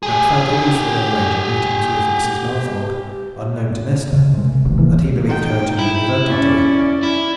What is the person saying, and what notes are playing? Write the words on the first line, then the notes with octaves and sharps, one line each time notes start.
Pratt found her useful in arranging meetings with Mrs. Mallathorpe unknown to Nesta, and he believed her to be devoted to him.
G4 G#4
C#3
C3 G#3
D1 A1 C3 D#3
E3 G#3 A#3
D#4 G5
E4
C#4 D5
E4